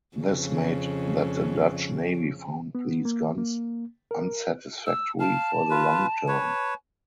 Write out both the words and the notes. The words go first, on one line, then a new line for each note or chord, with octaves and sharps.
This made that the Dutch Navy found these guns unsatisfactory for the long term.
F2 C#3
B3
A#3
A#3
A#4
E6
F5 A5
F4 B4
B4 C#5